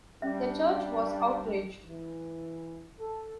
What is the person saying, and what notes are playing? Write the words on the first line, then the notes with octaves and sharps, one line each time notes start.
The church was outraged.
G3 C#4 D4 E5
E3
A4